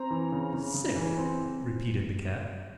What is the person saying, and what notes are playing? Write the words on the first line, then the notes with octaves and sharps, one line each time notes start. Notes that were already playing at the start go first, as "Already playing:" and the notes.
"Sick!" repeated the Cat.
Already playing: C4 A#5
E3
C#3
C#3
C#3
E3
C4